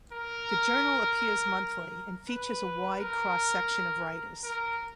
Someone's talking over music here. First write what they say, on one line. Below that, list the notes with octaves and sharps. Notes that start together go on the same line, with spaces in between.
The journal appears monthly, and features a wide cross-section of writers.
A#4
B4
A#4
A#4